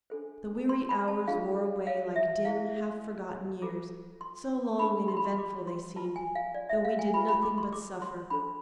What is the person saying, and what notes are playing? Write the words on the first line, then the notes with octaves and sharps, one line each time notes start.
The weary hours wore away like dim half-forgotten years, so long and eventful they seemed, though we did nothing but suffer.
D4 A4 C5
C6
B5
A5
D4 F4 G#4 C5 F5
F5
E5
E4 G#4 C5 F5
F4 A4 C5 D6
C6
D4 G#4 B4 B5
C6
B5
C6
D6
C6
F4 B4 A5
G#5
F5
D5
E5
F5
G#5
F4 B4 B5
B5
D6
C6
D6
C6
D4 A4 C5 B5